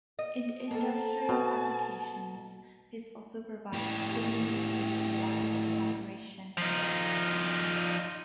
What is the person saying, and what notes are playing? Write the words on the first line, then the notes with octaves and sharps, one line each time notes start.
In industrial applications this also provides cooling due to rapid evaporation.
D#5
A#3 C4 A4 A5
B2
A2 G4
F3 D#4